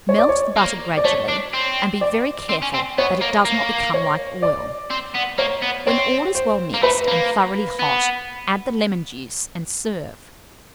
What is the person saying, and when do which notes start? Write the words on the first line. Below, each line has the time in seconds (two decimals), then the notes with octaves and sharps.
Melt the butter gradually, and be very careful that it does not become like oil. When all is well mixed and thoroughly hot, add the lemon-juice, and serve.
0.09 C#5
0.19 D5
0.29 C#5
0.57 A#3
0.97 D5
1.05 A3 C#5
1.29 D4
1.54 C4
2.01 D5
2.49 C4
2.62 C#4
2.74 C4
2.98 B3 C#5
3.21 A#3
3.45 A#3
3.94 C#5
4.42 D5
4.90 C4
5.14 B3
5.38 A#3 C#5
5.62 B3
5.87 C4 C#5
6.35 C5
6.74 A#3
6.83 A3 B4
7.08 A#3
7.79 B3